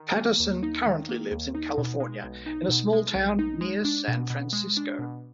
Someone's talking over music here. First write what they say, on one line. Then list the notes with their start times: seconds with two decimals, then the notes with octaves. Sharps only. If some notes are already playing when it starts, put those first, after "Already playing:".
Pattison currently lives in California, in a small town near San Francisco.
Already playing: D#3
0.16 A#3
0.39 D#2
0.63 D#4
0.86 D#3
1.09 A#3
1.31 D#2
1.55 D#4
1.78 B2
2.00 G#3
2.24 B1
2.46 D#4
2.69 B2
2.93 G#3
3.15 B1
3.39 D#4
3.61 G#3
3.85 D4
4.08 B2
4.30 B2
4.53 G#3
4.77 D4
4.99 B2